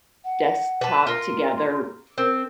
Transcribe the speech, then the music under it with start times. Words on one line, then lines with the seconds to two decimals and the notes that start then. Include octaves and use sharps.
desktop together,
0.25 F#5
0.81 B4 A5
1.07 F4 A#4 C6
2.18 C4 A#4